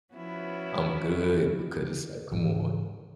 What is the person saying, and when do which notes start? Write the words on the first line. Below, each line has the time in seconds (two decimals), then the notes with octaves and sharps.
"I'm good," because it's, like, "Come on."
0.14 F3 B3 C#4 E4 F#4
2.32 G#2 E3